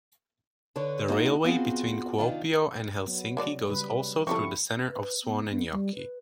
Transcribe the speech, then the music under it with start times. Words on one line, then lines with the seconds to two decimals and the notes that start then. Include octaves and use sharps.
The railway between Kuopio and Helsinki goes also through the center of Suonenjoki.
0.76 D3 D4 B4 C#5
1.09 A#3 D#4 F4 F#4
1.44 B3 C4 F4 F#4 G#4
2.18 D#3 D4 F4
3.06 F#3 B3
3.37 G#3 F#4 D5
3.69 C#3 G3 B4
4.27 F3 B3 C4 E4 G4 A4 C#6
4.91 B4
5.25 B3
5.51 B3
5.72 G3
5.95 B4